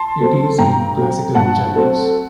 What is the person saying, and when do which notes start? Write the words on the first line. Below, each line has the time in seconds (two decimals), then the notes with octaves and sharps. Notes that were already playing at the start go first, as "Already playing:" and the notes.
It is in classical Chinese.
Already playing: A5 C6
0.20 F#3 A3 C4
0.58 G2 G5 A#5
0.97 F#3 A3 C4
1.35 G2 F#5 A5
1.74 F#3 A3 C4